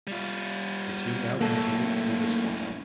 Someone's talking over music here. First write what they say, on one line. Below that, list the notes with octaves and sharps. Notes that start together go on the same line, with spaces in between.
The two now continued through the swamp.
G3 F4
F#2 A2 A#3 A4